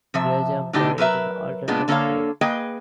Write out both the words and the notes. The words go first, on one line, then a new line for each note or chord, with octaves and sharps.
"Grey jumper" is an alternate name.
C3 F3 E5
A2 D3 D4 D#4 G4 G5
F#3 A#4 B4 E5
A#2 G#3 B3 D4
D3 A#3 A4 B4 C#5 F5
A#3 G#4 B4 D#5 G5